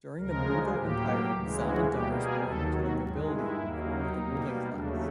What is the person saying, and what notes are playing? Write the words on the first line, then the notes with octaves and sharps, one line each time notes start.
During the Mughal Empire, zamindars belonged to the nobility and formed the ruling class.
D2 C#3 F3 G#3 A#4
A2 F#3 A#3 G4
D2 C#3 E3 G#3
F#4
B2 G3 A#3 G4
G#4
D#2 D#3 F#3 A4
F#4
G2 D#3 G#3
E4
D#2 D#3 F#3 A#3
D#4
B2 G3 A#3
D#2 C#3 F#3 A3 D4